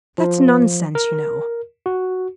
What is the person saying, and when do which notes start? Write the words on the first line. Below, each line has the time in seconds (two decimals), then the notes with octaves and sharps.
"That's nonsense, you know."
0.18 F3
0.95 A#4
1.86 F#4